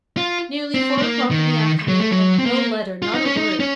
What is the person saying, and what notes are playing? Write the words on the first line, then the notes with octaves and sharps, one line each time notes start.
Nearly four o'clock in the afternoon, and no letter--not a word!
F4
C4
C4
A#3
D#3
F#3
A3
F#3
C4
A#3
F4
D#4
C#4
D#4
C#4